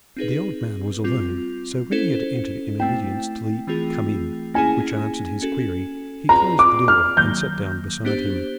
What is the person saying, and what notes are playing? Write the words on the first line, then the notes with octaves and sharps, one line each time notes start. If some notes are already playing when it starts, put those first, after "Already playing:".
The old man was alone, so, when he had entered in obedience to the "Come in," which answered his query, he closed the door and sat down beside him.
C4 D#4 G#4 B4
G3 C4 F4
C#4 E4 A4 C5
A3 C4 E4 G5
E3 A3 C4 F4 G#4
A#3 C#4 E4 G#4 G#5
C#4 F#4 A4
C4 F4 G#4 B4 D5 A#5
D6
F6
D#3 F#3 A#3 G6
B3 D4 G4 C5